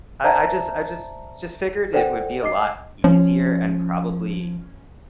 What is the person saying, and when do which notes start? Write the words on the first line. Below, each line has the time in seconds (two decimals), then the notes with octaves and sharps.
I I just I just just figured it would be a lot easier and, probably,
0.24 C5 D5 E5 A5 A#5
1.93 A4 C5 D5 F#5 G5
2.43 D#5 D6 C7
3.04 F3 C#4